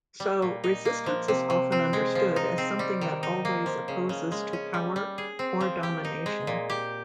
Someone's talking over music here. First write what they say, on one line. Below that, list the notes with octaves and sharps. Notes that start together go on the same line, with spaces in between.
So, resistance is often understood as something that always opposes to power or domination.
G3
A#2
D#4
A#3
F3
C3
C3
C4
G#3
F3
D#4
C4
G3
D#3
D#4
A#3
F3
C#3
C#3
G#3
C#4
G3
G3
G#4
C4
F3
G4
D#4
G#3
A#2
G4